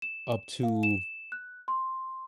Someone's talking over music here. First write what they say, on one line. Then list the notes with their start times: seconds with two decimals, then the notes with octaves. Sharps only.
up to"
0.02 E7
0.63 F5
0.83 E7
1.32 F#6
1.68 C6